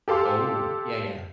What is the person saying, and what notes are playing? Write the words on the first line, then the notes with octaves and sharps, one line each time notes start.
Oh, yeah, yeah.
G4 A4 F5 C6 D6